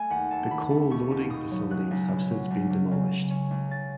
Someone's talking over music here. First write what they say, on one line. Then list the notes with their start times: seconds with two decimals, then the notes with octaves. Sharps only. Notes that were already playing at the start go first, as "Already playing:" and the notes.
The coal loading facilities have since been demolished.
Already playing: A3 G#5
0.10 D#2 F#5
0.31 D#2 A5
0.51 D#3 B5
0.71 A3
0.90 D#2 C#6
1.10 D#2
1.30 B2 D#6
1.51 F#3
1.70 C#2 F#6
1.91 C#2
2.11 B2
2.31 F#3
2.51 C#2
2.70 C#2
2.91 C#3
3.11 G#3
3.30 C#4
3.51 C#2
3.71 C#3 A6